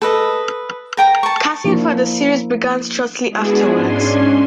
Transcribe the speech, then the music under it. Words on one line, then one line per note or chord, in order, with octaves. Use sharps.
Casting for the series began shortly afterwards.
A4 B4 D#5
A#4 G5 A#5
A5 C#6
F3 A#3 D4 E4
G#3 B3 D4 E4 F#4 G#4
G#2 C#4 D4 G#5 C6